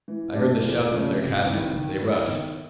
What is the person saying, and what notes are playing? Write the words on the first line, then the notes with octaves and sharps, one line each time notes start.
I heard the shouts of their captains; they rushed.
E3
A3 D4 G4
E2
C#3 F3 A3 C#4
C3
D#3 G3 C4 E4
D#3
G3 B3 E4 G4
D#3